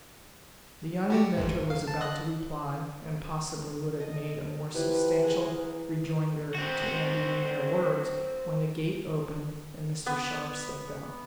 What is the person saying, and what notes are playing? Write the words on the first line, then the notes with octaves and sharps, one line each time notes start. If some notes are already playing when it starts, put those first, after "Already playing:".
The young inventor was about to reply, and, possibly would have made a more substantial rejoinder to Andy than mere words, when the gate opened, and Mr. Sharp stepped out.
G3 F#4 G4
G#1 F2 G#2
F5
A5
D#5 F#6
A4 D#5
E3 F3 G4 B4
G#4 A#4 F#5
C4 F#4
B3